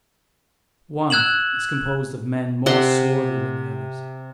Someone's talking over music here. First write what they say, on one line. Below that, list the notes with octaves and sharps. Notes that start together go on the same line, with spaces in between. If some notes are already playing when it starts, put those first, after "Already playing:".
One is composed of men more swarthy than the others.
E6 F#6 G#6 E7 F#7
C3 F#5 C6